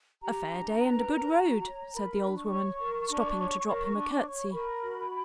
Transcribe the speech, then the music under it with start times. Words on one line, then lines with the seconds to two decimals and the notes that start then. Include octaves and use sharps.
"A fair day and a good road," said the old woman, stopping to drop him a courtesy.
0.22 G4 A#5
0.51 D4
0.80 B4
1.08 A#4
1.36 F#4
1.65 C#5
1.94 A#4 B5
2.23 D4
2.37 C#6
2.52 C#5
2.80 A#4
3.09 D4
3.38 C#5
3.67 A#4
3.95 D4
4.24 C#5
4.52 A#4 B5
4.81 F#4